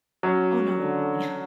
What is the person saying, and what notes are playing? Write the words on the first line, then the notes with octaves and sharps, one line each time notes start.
Oh, no, no, nothing else.
F#3 C#4
D3